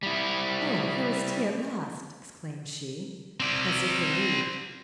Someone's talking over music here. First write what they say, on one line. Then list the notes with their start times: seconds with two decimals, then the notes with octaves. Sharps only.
'Oh, here is tea at last!' exclaimed she, as if relieved.
0.03 G3 E4
3.40 C4 D5